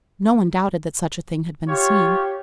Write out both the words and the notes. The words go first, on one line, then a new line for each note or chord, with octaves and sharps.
No one doubted that such a thing had been seen.
F4 G4 C#5